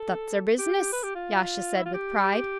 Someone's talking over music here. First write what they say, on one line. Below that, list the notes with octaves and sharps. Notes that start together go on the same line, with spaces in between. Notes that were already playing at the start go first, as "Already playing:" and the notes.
"That's our business," Yasha said with pride.
Already playing: A4
G4
B4
G4
F4
E4
F4
G4